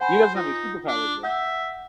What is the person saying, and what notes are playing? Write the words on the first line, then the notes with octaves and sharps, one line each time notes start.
He doesn't have any superpowers, though.
C5 F#5 G#5 B5
D#4 F4
D4
E5 F#5 G6